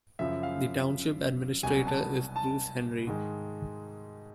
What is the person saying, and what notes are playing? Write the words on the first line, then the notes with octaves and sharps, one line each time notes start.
The township administrator is Bruce Henry.
F#2 C#3 F3 E5
F5
C2 B2 F#3 B3 G#5
A5
A5
G#2 D#3 G#3